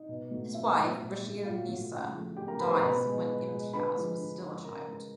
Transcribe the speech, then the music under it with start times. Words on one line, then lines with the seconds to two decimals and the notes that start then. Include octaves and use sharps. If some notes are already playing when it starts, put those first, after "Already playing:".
His wife, Rashid-un-Nisa, dies when Imtiaz was still a child.
Already playing: D#4
0.09 B2
0.31 F#3 A3
0.54 B2 E4 E5
0.78 F#3 A3
1.00 A#2
1.23 F#3 A3
1.45 A#2 F4 F5
1.69 F#3 A3
1.91 C#3
2.14 F3 A3
2.36 C#3 G4 G5
2.48 A#4 A#5
2.59 F3 A3 B4 B5
2.70 C5 C6
2.78 A#5
2.82 B2 B4 B5
3.05 G#3
3.28 B2
3.50 G#3
3.73 D3 B4 B5
3.95 F3 G#3
4.19 D3
4.41 F3 G#3
4.64 C#3 A#4 A#5
4.87 E3 G#3